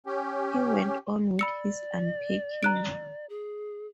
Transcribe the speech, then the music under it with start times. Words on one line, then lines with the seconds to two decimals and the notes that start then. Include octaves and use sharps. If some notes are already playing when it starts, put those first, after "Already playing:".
He went on with his unpacking.
0.06 C#4 G4
1.39 D5 B5 E6 C#7
2.63 A#5 F#6 D7
3.29 G#4